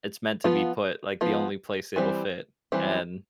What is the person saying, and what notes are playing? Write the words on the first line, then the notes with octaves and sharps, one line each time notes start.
it's meant to be put, like the only place it'll fit, and
F3 B3 F4
F3 B3 F4
E3 G3 C4
E3 G3 C4